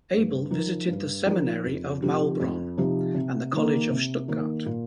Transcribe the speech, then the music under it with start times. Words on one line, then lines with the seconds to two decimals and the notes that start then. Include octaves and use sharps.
Abel visited the seminary of Maulbronn and the college of Stuttgart.
0.14 G2
0.51 F3 D#4 A#4
0.88 G2
1.26 F3 D#4 A#4
1.64 F2
2.02 C3 F3 D#4 G4
2.40 F2
2.77 C3 F3 D#4 G4
3.15 C3
3.53 D#3 A#3
3.90 C3
4.28 D#3 A#3
4.66 A#2